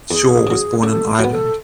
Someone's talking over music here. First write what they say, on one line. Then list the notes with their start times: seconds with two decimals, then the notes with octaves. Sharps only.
Shaw was born in Ireland.
0.11 E2 G#4
0.47 C#3 F#3
0.83 C#3 A4
1.19 F#3 B3
1.32 A4